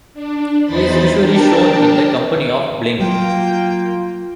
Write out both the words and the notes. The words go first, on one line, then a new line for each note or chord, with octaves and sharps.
He is usually shown in the company of Bling.
D4
E2 E3 D#4 C5 B5 A6
D4 A#4 G5 A5
F#3 A#3 F4 G5